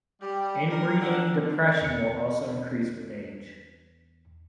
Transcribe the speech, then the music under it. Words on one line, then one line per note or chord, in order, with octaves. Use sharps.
Inbreeding depression will also increase with age.
G3 G4
A#4
D3 F#5
E2 C#7